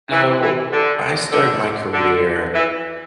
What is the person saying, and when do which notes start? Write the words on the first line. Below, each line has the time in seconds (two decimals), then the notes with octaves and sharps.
So, I started my career
0.12 E3
0.41 E3
0.72 D3
1.32 D3
1.92 D3
2.54 E3